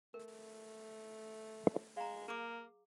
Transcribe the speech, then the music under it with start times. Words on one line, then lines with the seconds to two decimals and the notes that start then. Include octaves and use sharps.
Buildings can be destroyed if a monster directly attacks or is thrown into it.
0.14 A3 A#4
1.97 G#3 F5 A#5
2.28 A#3 G#4 D6